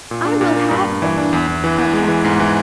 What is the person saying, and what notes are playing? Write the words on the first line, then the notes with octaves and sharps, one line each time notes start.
"I will have them," cried Katharine.
A#2
D4
A#2
A#3
G2
G2
E3
D4
E2
E2
E3
E2
G#3
E3
G#2
E3